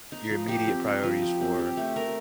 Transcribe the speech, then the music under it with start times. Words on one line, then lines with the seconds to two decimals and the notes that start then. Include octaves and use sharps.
Your immediate priorities for,
0.12 D#4
0.30 F3
0.48 G4
0.67 C4
0.85 D#4
1.04 F3
1.22 G4
1.41 C4
1.59 G4
1.77 A3
1.96 A#4